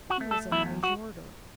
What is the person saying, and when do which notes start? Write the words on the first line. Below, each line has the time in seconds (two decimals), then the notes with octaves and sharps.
He was a Nyjorder.
0.10 F#4
0.21 A3
0.31 A4
0.51 E2 E4
0.83 F#4